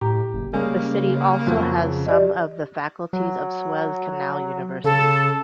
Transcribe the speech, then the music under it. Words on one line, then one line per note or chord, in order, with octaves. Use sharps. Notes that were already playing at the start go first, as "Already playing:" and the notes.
The city also has some of the faculties of Suez Canal University.
A2 G4 A#5
F#1
C#3 G3 G#3 A#3 C#4
F2 F3 F#3
G4 D5 D#5
F#3
C#3 A4